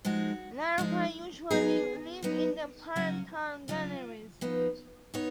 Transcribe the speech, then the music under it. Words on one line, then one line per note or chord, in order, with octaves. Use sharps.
Larvae usually live in the parental galleries.
F3 G#3 D#4 F#4
F3 G#3 D#4
F#3 B3 D#4 G#4
F#3 B3 D#4
C#3 F#3 C#4 F#4
C#3 F#3 C#4 F4
F3 B3 D#4
B3 D#4 C#5